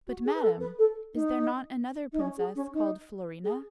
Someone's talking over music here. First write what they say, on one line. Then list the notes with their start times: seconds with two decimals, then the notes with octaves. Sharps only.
"But, madam, is there not another princess called Florina?"
0.07 F#4
0.25 G#4
0.34 B4
0.43 A4
0.60 B4
0.78 A4
1.14 D#4
2.12 D#4
2.19 C#4
2.37 G#4
2.55 C#4
2.73 D#4
3.44 G#4